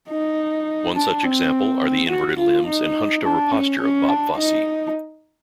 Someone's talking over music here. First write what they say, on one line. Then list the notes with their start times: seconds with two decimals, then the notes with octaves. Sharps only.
One such example are the inverted limbs and hunched-over posture of Bob Fosse.
0.09 D#4
0.95 D4
1.24 C4
2.08 F#4
2.38 F4
2.66 D#4
3.24 D4
3.51 C#4
3.80 C#4
4.08 D4
4.37 D#4